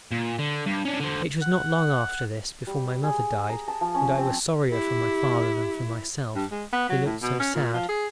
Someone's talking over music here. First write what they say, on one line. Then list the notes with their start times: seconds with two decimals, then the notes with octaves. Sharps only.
It was not long after this before my mother died, and I was sorrier for my father than for myself--he looked so sad.
0.11 A#2
0.39 D3
0.66 G2
0.85 C#4 D4
1.00 D3 C5
1.41 F#5
2.67 G3
3.03 G#4
3.50 A#5
3.68 A5
3.81 F3
3.94 C#4
4.18 C4
4.71 E4 G4
6.35 G2
6.51 G#3
6.73 B3
6.89 F#3
7.06 A2
7.22 B2
7.39 C#4
7.55 A#2
7.74 F3
7.89 G#4